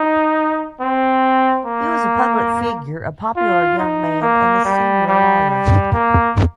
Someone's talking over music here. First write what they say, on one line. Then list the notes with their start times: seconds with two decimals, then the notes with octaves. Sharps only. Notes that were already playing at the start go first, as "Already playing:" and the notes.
He was a public figure, a popular young man, and a senior lawyer.
Already playing: D#4
0.81 C4
1.65 A#3
3.37 F4
3.79 D#4
4.22 A#3
4.65 G3
5.07 G3
5.50 G3
5.93 A#3